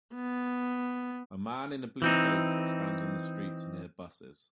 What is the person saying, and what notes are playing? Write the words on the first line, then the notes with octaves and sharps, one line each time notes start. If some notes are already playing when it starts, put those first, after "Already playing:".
A man in a blue coat stands on the street near buses.
B3
E3 C4 D#4